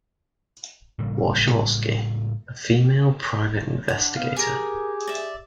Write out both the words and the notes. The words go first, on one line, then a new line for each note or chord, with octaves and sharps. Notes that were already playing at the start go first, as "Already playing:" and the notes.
Warshawski, a female private investigator.
A2 C#3 G3 A#3
D4 F#5
B3 F5
G4 G#4 A#4 G#5
D5 E5